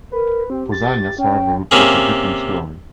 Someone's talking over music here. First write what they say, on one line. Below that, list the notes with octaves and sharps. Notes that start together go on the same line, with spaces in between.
Pausanias, however, reports a different story.
A#4 B4
C4 G4
A6
C#4 G5
C3 A#3 C#4 G#4